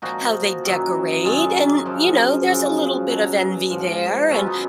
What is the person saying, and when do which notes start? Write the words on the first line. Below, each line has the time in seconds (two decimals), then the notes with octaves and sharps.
how they decorate, and, you know, there's a little bit of envy there and
0.02 A#2 F3 D#4 F#4
0.64 F#2 D#3 F#3
1.25 F#2 D#3 F#3 F4 G#4
1.85 F#2 C#3 F3
2.47 F#2 C#3 F3
3.09 B2 F#3
3.70 G#2 F3
4.31 B2 F#3 C#4 F4
4.43 B3 C#4 D#4